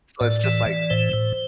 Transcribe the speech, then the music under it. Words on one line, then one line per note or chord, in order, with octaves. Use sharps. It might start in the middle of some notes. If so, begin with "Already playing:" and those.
So, it's just, like
A2 D5
E3
E3
A2 C5
A2